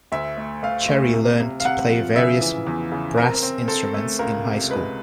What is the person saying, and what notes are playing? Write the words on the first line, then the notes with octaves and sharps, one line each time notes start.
Cherry learned to play various brass instruments in high school.
D2 E5
A3
A3 F5
A3
C3
C3
F5
C3 F#5
F3
C#3 E5
E3
E2
C#3
C4 A#4
C4
C4 A4
A3
C#2 A#4
C3
G#3 B4